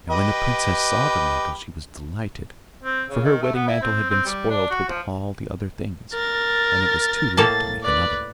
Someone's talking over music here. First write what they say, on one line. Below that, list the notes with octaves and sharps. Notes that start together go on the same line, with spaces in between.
And when the princess saw the mantle she was delighted, for her wedding mantle had been spoilt with all the other things, and it was too late to make another.
G4 B4 D#5
C4
C#3
D#3
A3
B3
E4
C4
C4
G3
D4
F#4
F3
A#4 A6
A2 A#3 A5 A6
B4 D5